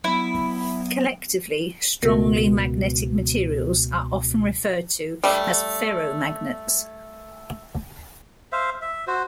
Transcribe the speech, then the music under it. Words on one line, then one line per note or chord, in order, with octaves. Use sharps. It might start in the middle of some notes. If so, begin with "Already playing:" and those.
Collectively, strongly magnetic materials are often referred to as ferromagnets.
F#3 B3 E4
C#2 B2 A#4
G3 A3
C5 E5 F5
E5
F#4 C5